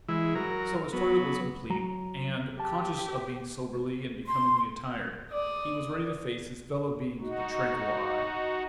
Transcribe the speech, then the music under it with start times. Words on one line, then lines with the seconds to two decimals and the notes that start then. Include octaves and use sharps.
So his toilet was complete; and, conscious of being soberly and becomingly attired, he was ready to face his fellow-beings with a tranquil eye.
0.09 E3 G#3 E4
0.35 F#3 A#4
0.93 F#3 B3
1.70 F#3 A#5
2.60 G4 A5
4.26 C6
5.31 D5 D#6
7.20 D#4 F#4